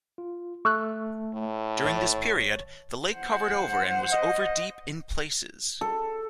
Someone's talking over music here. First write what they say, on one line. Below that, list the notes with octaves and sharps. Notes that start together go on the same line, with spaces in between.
During this period, the lake covered over and was over deep in places.
F4
A3 A4 C#6 E6 F#6
A2
G#1 C#5 A6
C5 F#5
D#5
A4